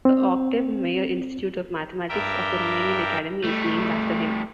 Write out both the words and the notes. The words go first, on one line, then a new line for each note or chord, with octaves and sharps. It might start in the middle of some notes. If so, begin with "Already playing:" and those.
The Octav Mayer Institute of Mathematics of the Romanian Academy is named after him.
C4
G2 G3 G4 A#4 E5 G5
G3 A3